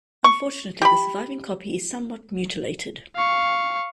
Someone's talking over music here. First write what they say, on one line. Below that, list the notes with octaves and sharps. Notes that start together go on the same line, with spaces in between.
Unfortunately the surviving copy is somewhat mutilated.
C#6
G4 B5
F5 C#6